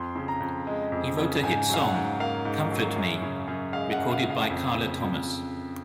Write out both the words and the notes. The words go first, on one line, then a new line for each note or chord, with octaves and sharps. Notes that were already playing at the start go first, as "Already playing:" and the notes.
He wrote a hit song, "Comfort Me", recorded by Carla Thomas.
Already playing: F2 C6
C#3
A#5
F2
G#3
F2
C#3
G#2 G#5
F#3 F5
F#5
G#2
A#3 F5
G#2
F#3
F#2
C#3
F#2
G#3 F5
F#5
F#2
F5
C#3
F5
F2
C#3
F2